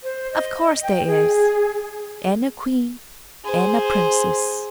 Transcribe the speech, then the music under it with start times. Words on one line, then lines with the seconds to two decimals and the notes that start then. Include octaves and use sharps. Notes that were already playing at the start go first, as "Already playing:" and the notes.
"Of course there is, and a queen, and a princess."
0.03 C5
0.33 D#5
0.82 G5
1.06 G#4
3.44 G#4 C5